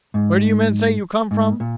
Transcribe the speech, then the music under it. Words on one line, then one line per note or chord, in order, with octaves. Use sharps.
"Where do you men say you come from!"
G#2
G#2
A#2